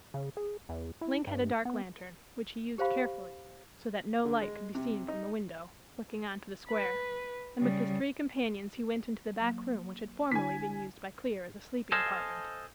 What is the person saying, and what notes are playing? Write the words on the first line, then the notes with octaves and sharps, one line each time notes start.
Link had a dark-lantern, which he used carefully, so that no light could be seen from the window looking on to the square; and with his three companions he went into the back room which had formerly been used by Clear as a sleeping apartment.
C#3
G#4
E2
E4
G2
B3
G4 C5 F5 B5
D3
G#3
C3
D#4
B4
C#3 G3
F#3 A#3
D3 D4 E4 G#5 B6
A4 C5 D#5 F5 G#5 A5